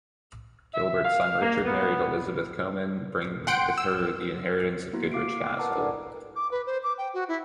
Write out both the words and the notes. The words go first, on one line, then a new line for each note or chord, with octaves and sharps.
Gilbert's son Richard married Elizabeth Comyn, bringing with her the inheritance of Goodrich Castle.
E5
F5
A#3
B3
F#5 G5 C6 D7
E6
A#3 B3 E4 F#4
F5 D6 C7 D7
E6
A#4 B4 F#5 A5 A#5 D6
D4 E4 F#4 A4 A#4 D5
D6
B4
C5
D6
G5
F#4
E4